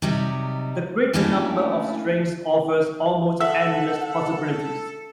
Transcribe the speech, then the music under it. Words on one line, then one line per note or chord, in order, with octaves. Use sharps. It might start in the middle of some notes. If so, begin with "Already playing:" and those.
The greater number of strings offers almost endless possibilities.
C3 F#3 G3 D#4
A3 A#3 C#4 D4 E4 G4
A4 E5 F#5